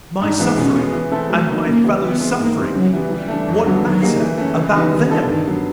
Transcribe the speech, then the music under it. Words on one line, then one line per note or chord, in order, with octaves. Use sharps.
My suffering and my fellow-suffering--what matter about them!
G#2 D4
E3 G#3 B3
B2 C#4
G#3 B3
E3
A3 C4 E4 A4
F#3 A3
A#3 D#4
C#3 A#3
E3 G3 B3
E3 B3
G#3 C4 E4
G#2 A#3
E3 G3 C4
C#3 F#3
E3 G3 B3
E3 G3
A3 D4
F2 F#3
D3 F#3 B3
D#3 F#3
G3 A#3 D#4 G#4
E3
A3 C#4
C#3 E3
E3 G3 B3 D#4
D#3 G3
B3 D4 F4 A4
G2 D#3
D3 F#3 B3